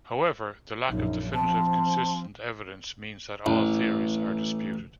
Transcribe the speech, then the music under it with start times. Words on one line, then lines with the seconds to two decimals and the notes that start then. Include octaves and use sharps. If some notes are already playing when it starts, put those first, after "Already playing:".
However, the lack of definitive, consistent evidence means that all theories are disputed.
0.89 A#1 F#2 D#4
1.34 F3 C4 A5
3.46 A1